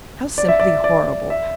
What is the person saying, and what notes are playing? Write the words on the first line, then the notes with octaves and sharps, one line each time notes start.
'How simply horrible!'
D5
E5
D5
D5
E5